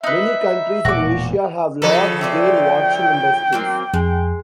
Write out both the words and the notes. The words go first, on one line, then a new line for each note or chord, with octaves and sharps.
Many countries in Asia have large whale watching industries.
D#4 B4 E5
E1 A#2 F#4 D6
C#3 F3 A4 B4
C5 D5 E5 G5
F#3 A#3 C4
F2 G#3